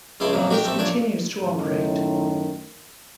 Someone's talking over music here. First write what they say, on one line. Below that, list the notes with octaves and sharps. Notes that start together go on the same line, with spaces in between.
This continues to operate.
C#2 C#3 A3 E4 C6 D6
F2 A#2 F3 F#3
F#4 G4 A#4 G5
A3 C4 E5
A#2 D4 C#5 D5
F#2 A2 D#3